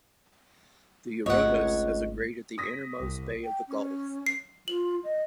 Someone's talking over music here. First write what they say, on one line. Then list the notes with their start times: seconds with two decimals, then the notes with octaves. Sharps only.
The Eurotas has aggraded the innermost bay of the gulf.
1.26 G#1 C#2 A3 C#5 D#5 F#5
2.58 D#6 A#6 B6
2.98 C2
3.45 G5
3.68 C#4
4.27 C7
4.68 F4 F#7
5.04 D#5